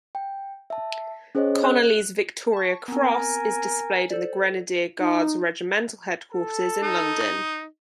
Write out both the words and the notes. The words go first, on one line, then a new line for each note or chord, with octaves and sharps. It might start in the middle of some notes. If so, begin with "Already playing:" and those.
Conolly's Victoria Cross is displayed at The Grenadier Guards Regimental Headquarters in London.
G5
E5 A5
C#4 G#4 C5 C#5 D#5
F#6
A5 C#6
B3 C4 A#4 G#5
A4 C5 D5
D#4
A4
D#4